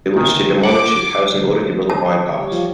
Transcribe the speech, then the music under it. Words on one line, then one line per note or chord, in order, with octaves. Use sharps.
They wish to demolish his house in order to build a bypass.
F#2 D#3
F#5 D6
A5
G3 G4 C#5
F3